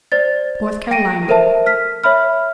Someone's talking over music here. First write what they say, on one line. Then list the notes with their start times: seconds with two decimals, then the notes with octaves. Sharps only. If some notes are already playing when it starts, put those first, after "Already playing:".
North Carolina.
0.12 C5 D5 A6
0.91 G5 A#6 D7 D#7
1.28 A4 A#4 C5 E5 A5
1.66 F6 B6
2.04 C#5 E5 B5 F6